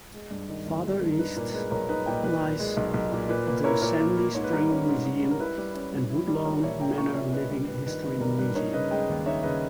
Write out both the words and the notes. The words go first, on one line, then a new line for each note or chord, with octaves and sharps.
Farther east lies the Sandy Spring Museum and Woodlawn Manor Living History Museum.
G#3
G2
D#3
G1
G#3
G2
A#4
D#4 B4
A#2 A#4
A#4
G#3 B4
B1 A#4 C#5
D#4 B4 D#5
A#2 D#5 G5
B1 B4 D#5
A#2
G#3
B1
B1
A#2
A#2 B4
A#3 B4
E4 A#4 C#5
A#2 A#4 C#5
A#2
A#3
G#2 C#5
B4
G3 A#4
B4
C#4
G#2
G#2
G3
A#4
E4 B4
G3
C#4
G2
E4
G3
A#1 A#4 C#5
A#2 C#5 E5
G#3 G5 A#5
A#1 A#5 C#6
A#1 C#5 E5
A#2 B4 D#5
G3 B4
G2 B4
D#3 B4
G1 B4
G3 A#4
G2 B4
D#4 A#4 C#5
C#3 B4 D#5
G#3 D#5 G5
D#2
D#4 C#5 E5
C#3 B4 D#5